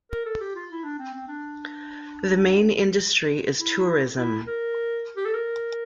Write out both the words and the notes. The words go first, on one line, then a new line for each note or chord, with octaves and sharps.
The main industry is tourism.
A#4
A4
G4
F4
E4
D4
C4
C4
D4
E4
E4
A#4
G4
A4
A#4